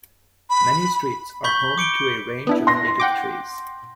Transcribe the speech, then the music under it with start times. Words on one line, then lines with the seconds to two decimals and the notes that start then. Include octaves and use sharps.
Many streets are home to a range of native trees.
0.50 B5
1.44 B5 C#6 G6 B6 G7
1.78 D6 C#7 D7 G7
2.47 B3 D4 E4
2.67 C6 A#6
3.00 F#5 G5 D6